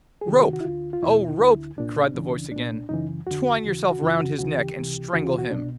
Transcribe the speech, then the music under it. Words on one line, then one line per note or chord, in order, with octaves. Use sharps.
'Rope, O rope!' cried the voice again, 'twine yourself round his neck and strangle him.'
G#4
C2 C3 D#3 G4
F#4
F#4
E4
D2 D3 F4
F4
E2 B2 E4
D2 D3
C2 A#2 D4
C#2 C#3 E3
C2 A#2 D4
F#2 C#3 E3 D#4
F2 D3 F#4
D#2 C#3 E3
F#4
F#2 C#3 E3 F4
F#4
D#2 C#3 E3 F#4
G4
C#2 C3 E3
D#2 C#3 E3 F#4
F4
F#4
C2 B2 D4